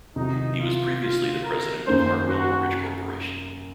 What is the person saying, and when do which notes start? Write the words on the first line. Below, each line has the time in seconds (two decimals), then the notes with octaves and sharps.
He was previously the president of Heartwell Mortgage Corporation.
0.16 C3 D#3 F#3 D#4
0.59 F4
1.02 F4
1.44 A#4
1.87 F#2 D#3 A#3 C#4 C5
2.29 F#4